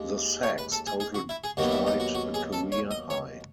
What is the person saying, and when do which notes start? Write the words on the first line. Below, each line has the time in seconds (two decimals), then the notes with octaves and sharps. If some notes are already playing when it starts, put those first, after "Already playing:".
The sacks total tied a career-high.
Already playing: D#2 G#3
0.43 C#5
0.58 B4
0.72 A4
0.87 G#4
1.00 G#4
1.15 F#4
1.29 E4
1.44 G#4
1.57 D#2 D#3 F#3 B3 F#4
1.72 E4
1.87 D#4
2.00 F#4
2.15 F#4
2.34 G#4
2.53 A4
2.72 C#5
2.91 D#5
3.10 C#5